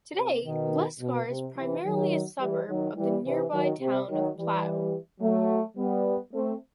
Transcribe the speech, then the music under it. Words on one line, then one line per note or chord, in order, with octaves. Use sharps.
Today, Lescar is primarily a suburb of the nearby town of Pau.
C3
B2 D#3
B2
C3
C3 E3
D#3 F#3
E3 G3
D#3 F#3
E3 G3
C3 E3
D#3 F#3
C3
D#3 F#3
E3 G3
F#3 A3
G3 B3
A3 C4